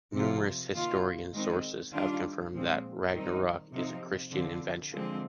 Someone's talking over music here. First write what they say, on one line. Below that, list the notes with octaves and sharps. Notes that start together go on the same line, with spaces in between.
Numerous Historians’ sources have confirmed that Ragnarök is a Christian invention.
C3 F3 C4 F4
D#3 A#3 F4
D#3 G#3 C4 D#4
D#3 G3 D4 F4
A#2 F3 G#3 C4
D#3 G3 C4 D#4
C3 F3 C4 D#4
D3 F3 C4
D3 F3 G#3 C4